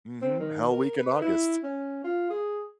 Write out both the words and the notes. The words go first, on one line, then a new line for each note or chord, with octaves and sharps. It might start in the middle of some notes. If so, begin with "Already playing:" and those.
Mhm. Hell Week in August.
C4
D#3
A#4
B4
E4
C#4
F4
G#4